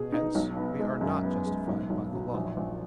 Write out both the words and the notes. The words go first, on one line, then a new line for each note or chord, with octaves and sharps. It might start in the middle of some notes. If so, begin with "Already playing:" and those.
Hence, we are not justified by the Law.
Already playing: B2 G#4
D#4
B1
B3
G#3
F#2
B3
G#3
B1
B1
F#3
A#1
A#1